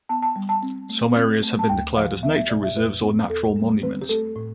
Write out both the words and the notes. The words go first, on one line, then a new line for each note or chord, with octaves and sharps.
Some areas have been declared as nature reserves or natural monuments.
B3 A5
A5
G3
A5
C4
A3
C4
A3
A5
D2 G5
F3 F5
B3 E5
E5
B2 D5
E5
F2 B4
B3
E2 A4
G3
C4 B4
G4
A3 A4
A2